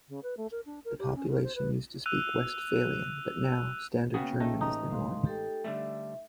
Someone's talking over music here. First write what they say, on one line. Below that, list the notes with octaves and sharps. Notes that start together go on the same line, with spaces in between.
The population used to speak Westphalian, but now standard German is the norm.
C#3
B4
A3
A#4
D4
A#4
G4
C#4
A#4
C5
B4
E6 F#6 D#7 F7
C#3 A#3 B3 F#4 G#4 G5
A3 D#4
A1 D#4
G#3 F5 C6
G4 A4 G5
D3 G3 A3 E5